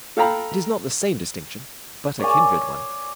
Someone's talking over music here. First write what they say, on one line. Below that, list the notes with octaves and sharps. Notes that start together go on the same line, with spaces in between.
It is not the same distinction, but a kindred one.
A4 F5 G5 A#5 B5
C#5 D5 G#5